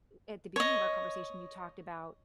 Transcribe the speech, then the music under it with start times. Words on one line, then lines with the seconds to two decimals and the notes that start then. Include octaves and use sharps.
at the beginning of our conversation, you talked about,
0.56 C#5 D#5